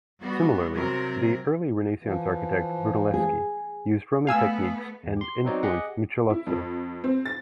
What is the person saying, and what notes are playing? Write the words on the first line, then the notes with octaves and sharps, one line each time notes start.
Similarly, the early Renaissance architect Brunelleschi used Roman techniques and influenced Michelozzo.
G3 B3 F#4
C3 F#3 C4 A#4
E3 F3
G#4
A3 B3 F5 G#5 E6
E2
G4 C6
F#3 B3 C4 D#4 C#5 D5
G4 G#4 D#5 F#5
E4
F2
C4
A6